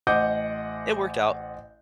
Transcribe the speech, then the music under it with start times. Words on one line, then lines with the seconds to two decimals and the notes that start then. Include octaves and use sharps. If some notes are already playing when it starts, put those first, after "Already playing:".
it worked out.
0.07 A1 C5 D#5 F#5 D6 G6